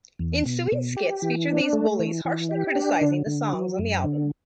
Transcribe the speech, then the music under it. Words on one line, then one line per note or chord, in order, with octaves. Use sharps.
Ensuing skits feature these bullies harshly criticizing the songs on the album.
E2
B2
B2
G4
E3
D4
A3
E3
E3
G4
D4
D3
D3
F#3
F#2
D3